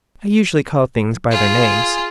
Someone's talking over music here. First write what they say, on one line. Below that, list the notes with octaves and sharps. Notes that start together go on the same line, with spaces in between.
"I usually call things by their names."
F4 G#4